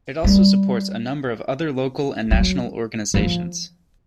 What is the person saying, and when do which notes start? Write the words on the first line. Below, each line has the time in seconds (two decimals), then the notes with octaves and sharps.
It also supports a number of other local and national organizations.
0.24 G3
2.31 F#3
3.14 F3